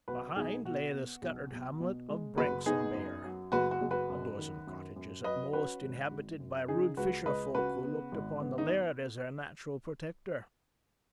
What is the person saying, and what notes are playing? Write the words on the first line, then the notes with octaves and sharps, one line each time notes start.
Behind lay the scattered hamlet of Branksome-Bere--a dozen cottages at most--inhabited by rude fisher-folk who looked upon the laird as their natural protector.
B1 F#4 B4
B1 D#4 G#4
B2 F#4
B3
B1
B1
B2
G#3
F#1 F#4 B4
B3 D#4 G#4
F#2
F#3
F#1 F#4 B4
F#4
F#1
F#4 B4
F#2
D#3
F#2
F#2
F#3 B4 D#5
C#4 F#4 B4
G#1
G#1
F#2
C#3 D#4 G#4
C#2 F#4 B4
C#2 B4 D#5
C#3 F#4 B4
B3
G#1
B3
D#4